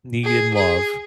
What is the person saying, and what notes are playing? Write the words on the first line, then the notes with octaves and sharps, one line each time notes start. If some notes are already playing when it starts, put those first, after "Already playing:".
need, and love,
G#4
G#4